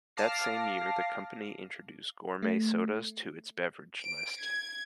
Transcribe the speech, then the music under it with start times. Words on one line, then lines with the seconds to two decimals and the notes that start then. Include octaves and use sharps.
That same year, the company introduced gourmet sodas to its beverage list.
0.17 F5 A5 D6 F6 A#6 C7
2.42 A3
4.02 D7
4.40 G#6